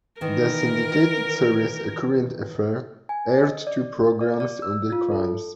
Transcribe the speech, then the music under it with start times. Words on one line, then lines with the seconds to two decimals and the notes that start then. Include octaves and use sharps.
The syndicated series "A Current Affair" aired two programs on the crimes.
0.21 D#3 E3 A#4
3.09 G#5
3.43 D#5
3.67 D5
4.21 D5
4.40 D5
4.62 E6
4.92 F4
5.12 A4